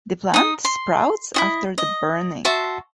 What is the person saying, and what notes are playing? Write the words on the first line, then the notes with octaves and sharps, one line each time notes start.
The plant sprouts again after burning.
D#4 D#6
C6
E4 F#4 D#5
D#5
F#4 E5 A5 C6